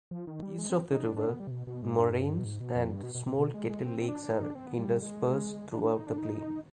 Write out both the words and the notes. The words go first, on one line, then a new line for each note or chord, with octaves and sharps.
East of the river, moraines and small kettle lakes are interspersed throughout the plain.
F3
D#3
G3
G#3
C4
D#4
D4
D4
B3
G3
C3
B2
B2
G#2
G2
B2
G#2
B2
F2
G2
B2
B2
B2
B2
G#3
G#3
C4
D4
D#4
D4
C4
B3
G3
G#3
D4
D4
D#4
D4
D#4